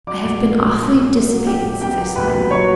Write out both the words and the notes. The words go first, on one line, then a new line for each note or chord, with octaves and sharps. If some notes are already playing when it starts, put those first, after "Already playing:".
'I have been awfully dissipated since I saw you.'
F#3 D5 D6
A#1
A#2
A#1
A#2
A#1
A#1
F#3
A#1 G4 G5
A#1
B3 G4 G5
F#3
A#1 B4 B5
F#3
F#3 C#5 C#6